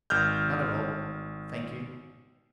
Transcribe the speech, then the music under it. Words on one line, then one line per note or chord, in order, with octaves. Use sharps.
"Not at all; thank you."
G#1 F6 G6